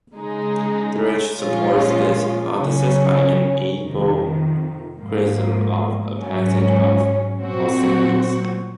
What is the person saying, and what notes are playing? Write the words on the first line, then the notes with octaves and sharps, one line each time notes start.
Thiersch supports this hypothesis by an able criticism of a passage of Pausanias.
C#3 G#3 D#4 G#4
A#2 F3 G#3 C#4 F4
C#3 F#3 C#4
F2 C3 D#3
G#2 F3 A#3
G#2 F#3 C#4
A#2 F#3 C4 F#4